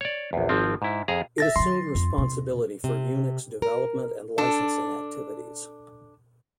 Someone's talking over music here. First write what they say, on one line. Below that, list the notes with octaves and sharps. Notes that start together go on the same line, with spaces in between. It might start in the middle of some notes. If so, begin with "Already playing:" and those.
It assumed responsibility for Unix development and licensing activities.
C#5 D5
A#1 E2
G#1 F3 C4
G#2 E4
F2 G#4 A#5
E5 A6 A#6
D3 F#3 C6
F2
E2 C3
C3
A#4
D4 A4